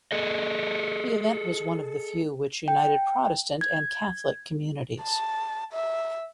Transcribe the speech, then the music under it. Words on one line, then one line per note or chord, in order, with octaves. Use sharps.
The event was one of the few which united Protestant and Catholic communities.
G#4 A4 D#5
G5
G#6
A5
E5